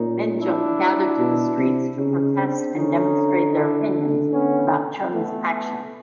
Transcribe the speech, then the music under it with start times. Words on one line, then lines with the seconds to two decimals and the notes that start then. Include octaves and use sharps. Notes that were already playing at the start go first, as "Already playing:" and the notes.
Minjung gathered to the streets to protest and demonstrate their opinions about Chun's action.
Already playing: A#2 C#4 D#4
0.40 D4 E4
1.19 B2
1.58 C3
1.97 C#3 C#4 D#4
2.36 C4 D4
2.76 D3 C#4 D#4
3.54 D4 E4
4.32 B3 C#4
5.11 A3 B3